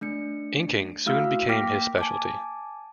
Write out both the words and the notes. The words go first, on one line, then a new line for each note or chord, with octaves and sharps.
Inking soon became his specialty.
A3 D4 C#7
A3 E4 F#4 F5 E6 F6
A#3 G5 D6 F6 A#6 B6
G#5 A5 D6